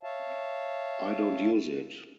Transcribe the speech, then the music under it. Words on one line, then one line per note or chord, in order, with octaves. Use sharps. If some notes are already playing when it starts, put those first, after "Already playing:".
I don't use it.
C#5 E5 F5 A5